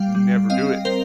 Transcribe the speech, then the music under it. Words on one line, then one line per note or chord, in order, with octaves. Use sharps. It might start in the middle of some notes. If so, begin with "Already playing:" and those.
never do it.
Already playing: G3 F5 G5
G3
C4 D#5 F5
C4 A#4 C5